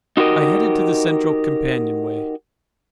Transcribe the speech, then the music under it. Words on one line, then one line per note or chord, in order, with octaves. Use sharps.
I headed to the central companionway.
D#4 F#4 G4 A#4 D#5